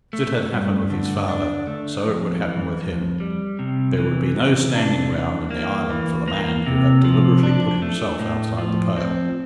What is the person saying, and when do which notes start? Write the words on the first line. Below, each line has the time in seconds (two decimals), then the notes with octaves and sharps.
As it had happened with his father, so it would happen with him--there would be no standing ground in the island for the man who had deliberately put himself outside the pale.
0.13 A3
0.52 G2
0.90 D3
1.29 D4
1.67 A3
2.06 F2
2.44 E3
2.82 F2
3.20 G3
3.59 C3
3.98 E3
4.36 C3
4.75 D4
5.12 E3
5.51 A#3
5.90 E3
6.28 A#3
6.66 C3
7.05 F3
7.43 D4
7.82 A3
8.20 A2
8.58 F3
8.97 C4